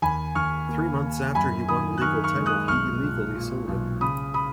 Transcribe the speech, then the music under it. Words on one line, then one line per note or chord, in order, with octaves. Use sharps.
Three months after he won legal title, he illegally sold it.
D#2 G#5 B5
D#2 C#6 F6
A#3
A#3
F#2 G#5 B5
D#3 B5 D#6
F#6
D#3 C#6 F6
C#6 F6
G#3
D#6 F#6
B1 C#6 F6
A#2
A#2
B1
C#3 B5 D#6
B5 D#6